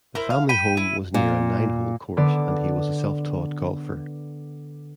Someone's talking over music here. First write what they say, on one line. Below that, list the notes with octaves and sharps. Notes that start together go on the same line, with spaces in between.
The family home was near a nine-hole course and he was a self-taught golfer.
E4 A#4 C5
F5
G5 B5 D#7
E4
A#2
D3 B3 D5